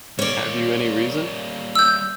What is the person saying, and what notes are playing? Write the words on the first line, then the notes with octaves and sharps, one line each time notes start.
Have you any reason?
G3 A#3 C#5 D5
E6 G6